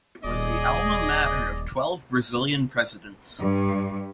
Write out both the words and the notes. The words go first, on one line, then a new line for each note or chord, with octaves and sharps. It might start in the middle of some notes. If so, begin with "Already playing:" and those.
It was the alma mater of twelve Brazilian presidents.
D#1 G#4 D5 D#5
G2